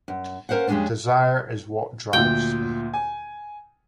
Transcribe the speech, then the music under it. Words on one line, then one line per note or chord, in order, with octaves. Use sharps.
Desire is what drives me.
F#2
C#4 A#4 C5 F5 F#5
F2 G3 G#3 A#3 C#4 D4
D2 A#2 G5
G#5